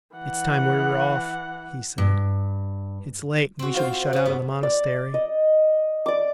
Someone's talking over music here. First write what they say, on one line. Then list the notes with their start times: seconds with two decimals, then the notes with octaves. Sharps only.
"It's time we were off," he said, "it's late, we shall be shut out of the monastery."
0.16 E3 F#5
1.98 G2
3.59 C4 F#4
3.74 F4 C5
4.13 C#3 F#4
4.25 G2 B3
4.63 D5
5.14 D#5
6.06 D5 D6